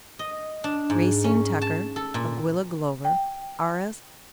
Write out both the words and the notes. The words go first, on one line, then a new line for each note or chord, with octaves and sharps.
Racine Tucker, Aguilla Glover, R.S.
D#5
D4
G#2
C#4
A5
A4
A#2
G5